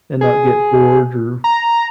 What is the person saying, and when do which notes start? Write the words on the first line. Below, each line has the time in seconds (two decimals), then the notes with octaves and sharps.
And not get bored or
0.21 G#4
1.44 A#5